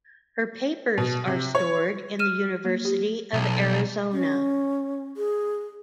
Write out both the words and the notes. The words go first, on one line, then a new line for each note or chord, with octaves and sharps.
Her papers are stored in the University of Arizona.
B2
C3
C#5
F6 D#7 E7
A#3
G4
B1
C#4
G#4